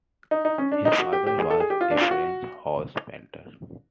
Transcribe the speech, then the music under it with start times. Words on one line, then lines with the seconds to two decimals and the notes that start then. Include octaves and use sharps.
His father was a French house painter.
0.31 D#4
0.45 D#4
0.58 C#4
0.72 D4
0.85 D#4
0.99 F#4
1.13 G4
1.27 G4
1.40 G#4
1.50 A4
1.60 G#4
1.70 G4
1.81 F4
1.91 D4
2.01 F4
2.11 F#4